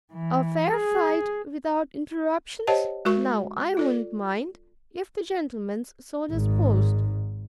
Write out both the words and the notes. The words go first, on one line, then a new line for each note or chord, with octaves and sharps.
"A fair fight without interruptions, now, I WOULDN'T mind, if the gentleman's so disposed."
E3
G#4
G4 C5 C#5 D#5 F#5 A5
G#3 F#4 A#4 C#6
F4 A4 D5
G#1 G#2